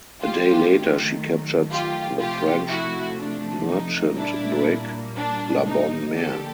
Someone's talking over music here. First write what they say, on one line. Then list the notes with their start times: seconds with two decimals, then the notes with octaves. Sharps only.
A day later she captured the French merchant brig "La Bonne Mere".
0.21 D#3 F#3 A3 F4 G4
1.70 F4 G4
2.19 C3 F3 A3 F4 G4
2.68 E4 F#4
3.18 D4
3.68 D#4
4.17 A#2 G3 A#3 D4 E4
5.16 D4
5.66 D#4
6.15 D3 F3 A#3 G4 A4